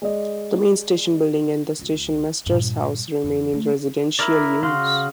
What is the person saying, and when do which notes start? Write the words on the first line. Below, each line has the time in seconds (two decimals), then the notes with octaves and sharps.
The main station building and the station master's house remain in residential use.
0.02 G#3 D5 D#5
1.79 C#2 F4
2.46 G2 A#2
3.24 F2 E3
3.53 A3
4.19 E4 A#4 D5
4.63 C#3 F#4 F5 C6